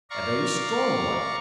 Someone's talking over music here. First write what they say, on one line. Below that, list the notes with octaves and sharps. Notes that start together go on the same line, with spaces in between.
A very strong one.
D5 F5 A#5 C#6